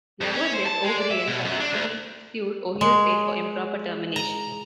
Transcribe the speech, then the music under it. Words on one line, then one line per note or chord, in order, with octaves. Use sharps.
Nevertheless, O'Brien successfully sued Ohio State for improper termination.
F2
C#4
C5
A5
G#3
D5
E5
B2
F#2
D4
D2
G#3
A#5